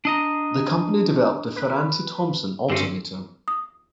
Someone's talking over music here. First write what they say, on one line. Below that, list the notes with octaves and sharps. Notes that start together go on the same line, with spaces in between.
The company developed the Ferranti-Thompson Alternator.
D4 D#5 A#5
B4
G2 D3 C4 C#4
D#6